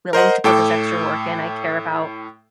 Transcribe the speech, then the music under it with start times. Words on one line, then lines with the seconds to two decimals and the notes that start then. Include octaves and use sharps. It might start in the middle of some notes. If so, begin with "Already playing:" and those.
willing to put this extra work in. I care about
0.13 A#4 C5 D#5 F#5
0.44 A2 A4 G5 D6